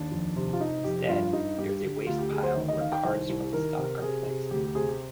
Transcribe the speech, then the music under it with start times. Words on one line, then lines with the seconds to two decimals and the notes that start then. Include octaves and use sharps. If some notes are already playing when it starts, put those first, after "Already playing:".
Instead, there is a wastepile where cards from the stock are placed.
Already playing: D#2 D4
0.11 F2
0.36 C3
0.53 F4
0.60 C3 D#4
0.84 F2 G4
1.09 G2 F4
1.33 G2 D#4
1.58 G2 G4
1.82 D3
2.07 D2 F4
2.18 G4
2.31 D2 G#4
2.43 C5
2.56 D#3
2.68 D#5
2.80 D#3 F5
2.92 G5
3.04 C2 C5
3.29 C2
3.53 D#3 A#4
3.78 C3
4.02 C3 G#4
4.26 C3
4.51 D2 G4
4.63 G4
4.75 C3 G#4
4.88 G4